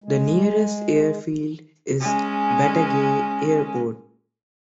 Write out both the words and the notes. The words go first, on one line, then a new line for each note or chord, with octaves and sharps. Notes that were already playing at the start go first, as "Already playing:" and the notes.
The nearest airfield is Batagay Airport.
G#3
G#3 C#4